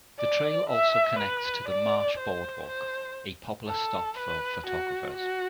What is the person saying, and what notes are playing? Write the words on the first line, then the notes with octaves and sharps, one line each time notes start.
The trail also connects to the Marsh Boardwalk, a popular stop for photographers.
D5
E5
B4
D5
C5
C5
A4
B4
F#4
F#4